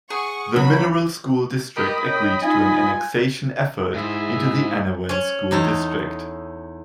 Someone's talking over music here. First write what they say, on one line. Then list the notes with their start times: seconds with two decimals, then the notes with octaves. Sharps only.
The Mineral School District agreed to an annexation effort into the Annawan School District.
0.10 G#4 F#5 C#6
0.56 C#3 F#3 B5
1.77 G4 A#4 D#5 B5
2.05 C#4 G5
2.43 D#4 F4 G#5
3.94 G#2 E4 G#4 E5
5.09 C#4 C#5
5.51 E2 D#4 A4 A5